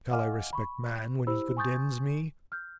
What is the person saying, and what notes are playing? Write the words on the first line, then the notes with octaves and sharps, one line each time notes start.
Shall I respect man when he condemns me?
D#5 F5 F#5 G#5 D6 F6
B5 C#6
E4 G4 C5 B5 E6
G#5 C6 C#6 D#6 G6 A6
F6 G6